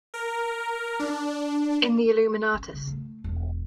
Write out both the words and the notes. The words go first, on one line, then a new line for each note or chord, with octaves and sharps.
In The Illuminatus!
A#4
D4
C#4
C#3
A3
E1